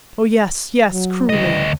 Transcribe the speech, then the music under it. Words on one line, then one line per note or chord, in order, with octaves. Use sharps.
"Oh, yes, yes, cruelly!"
F#3
D2 C#3 E3 G3 D#5